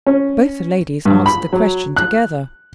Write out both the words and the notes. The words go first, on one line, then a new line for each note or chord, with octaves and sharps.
Both the ladies answered the question together.
C#4
G2
B5
F#3
F#6